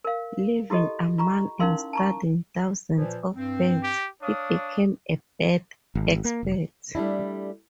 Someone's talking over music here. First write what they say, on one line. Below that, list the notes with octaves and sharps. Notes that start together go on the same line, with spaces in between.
Living among and studying thousands of birds, he became a bird expert.
A#4 F5
E4 F#4 G4 A4 D#5
F4 A#5 C#6
C#4 D#4 E4 A#4 F5 C6
A5 A#5 C#6
A#2 E3 F3
G2 C4
G4
D4 C#5 F5 D#6
G#1
A#3
F1
G3 A3 D4 E4